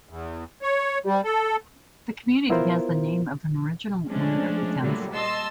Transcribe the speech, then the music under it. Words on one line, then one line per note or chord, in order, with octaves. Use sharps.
The community has the name of an original owner of the town site.
E2
C#5
G3
A4
B3 E4 F4 A#4 C5
F3 G#3 A3 C#4 D4
A#2 D3 F#3 G3 A3
D#5 A5 C6 E6